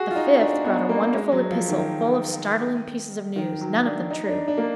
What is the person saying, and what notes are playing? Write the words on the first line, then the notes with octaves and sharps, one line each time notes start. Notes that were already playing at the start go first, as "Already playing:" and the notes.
The fifth brought a wonderful epistle, full of startling pieces of news, none of them true.
Already playing: F#4 G#4
F4
D#4
D4
B3
A#3
G#3
F#3
F3
D#3
D#3
F#3
D4
D#4
D4
D4
A#3